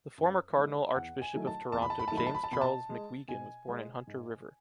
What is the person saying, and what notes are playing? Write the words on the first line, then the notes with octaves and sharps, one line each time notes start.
The former cardinal archbishop of Toronto James Charles McGuigan was born in Hunter River.
F#2
D#3 G#3
E2 F#5
G#5
D#3 F#3 A3
A5
E2 A5
B5
A5
B5
D#3 F#3 A3 A5
B5
A5
B5
A5
B2 B5
A5
G#3
B2 G#5
G#3
G#2